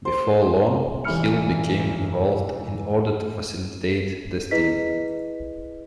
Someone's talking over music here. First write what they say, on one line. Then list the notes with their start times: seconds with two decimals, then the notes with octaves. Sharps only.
Before long, Hill became involved in order to facilitate the sting.
0.05 C5
1.04 E1 E3 G3 B5 F6 C#7
4.51 E4 G#4 B4 D#5 B6